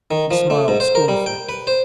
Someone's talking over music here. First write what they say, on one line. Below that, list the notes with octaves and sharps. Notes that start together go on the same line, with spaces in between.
She smiled scornfully.
D#3
F3
A3
G#2
C5
A#4
G3
G5
B4
C5